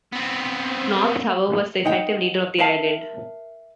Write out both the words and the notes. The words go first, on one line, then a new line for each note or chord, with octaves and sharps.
Nobbs, however, was the effective leader of the island.
B3 C4
D#4 F#5 G5
A#4 E5 F5 A5